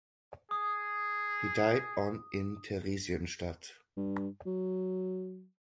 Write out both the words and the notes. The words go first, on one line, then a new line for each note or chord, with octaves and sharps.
He died on in Theresienstadt.
G#4 D#6
G2
F#3